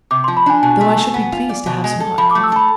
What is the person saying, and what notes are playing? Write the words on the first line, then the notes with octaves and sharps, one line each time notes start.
"Though I should be pleased to have some hot coffee."
C3 D6
F3 C6
B5
D4 G#5
B2 G#5
A3
B2
B3
F4
D5
B2
G#3
A4
F3 B5
A3 D6
E6
A4 B5